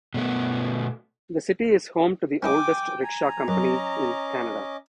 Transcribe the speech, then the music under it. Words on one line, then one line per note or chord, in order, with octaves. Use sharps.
The city is home to the oldest rickshaw company in Canada.
B2 A3 B3
C#4 E4 D#5 G5 G#5 D6
G#5 A#5
F#2 C#4 D#5 D6